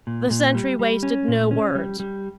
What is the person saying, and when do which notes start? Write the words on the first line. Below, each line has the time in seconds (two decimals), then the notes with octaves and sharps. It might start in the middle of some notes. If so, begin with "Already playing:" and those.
The sentry wasted no words.
0.07 A#2
0.30 A#2
0.55 G3
0.79 G3
1.03 C#4
1.28 A#2
1.51 C#4
1.75 G3
2.00 G3